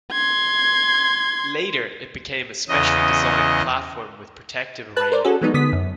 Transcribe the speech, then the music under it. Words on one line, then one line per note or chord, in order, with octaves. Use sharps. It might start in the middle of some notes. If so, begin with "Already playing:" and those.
Later, it became a specially designed platform with protective railing.
C6 G#6
E2 C#3 D#5
B4 A5 F#6
A#4 C5 D5
C#4 F#4 G#4 A4
E3 F#3 G#3 B3 D#4
D3 B3 D#6 B6
F#2